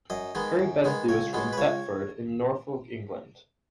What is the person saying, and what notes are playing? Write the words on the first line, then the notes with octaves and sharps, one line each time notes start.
Harry Bensley was from Thetford in Norfolk, England.
F#2 D#5
D#3 G#3 B3
F#2
D#3 G#3 B3
C#2 C#5
B2 G#3 B3
B4
C#2 C#5